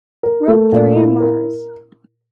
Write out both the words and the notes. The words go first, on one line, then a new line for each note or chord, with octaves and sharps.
Rop the rameras!
A#4
A3
A#2
E4
A#4